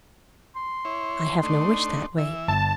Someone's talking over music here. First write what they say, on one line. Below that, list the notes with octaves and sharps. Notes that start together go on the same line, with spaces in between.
I have no wish that way.
C6
E4 C#5
A3 D4 D#4
E3 E5
G1 A5